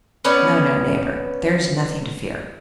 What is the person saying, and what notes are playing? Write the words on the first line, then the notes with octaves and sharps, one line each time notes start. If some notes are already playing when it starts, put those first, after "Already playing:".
No, no, neighbor, there's nothing to fear!
B3 C#4 D5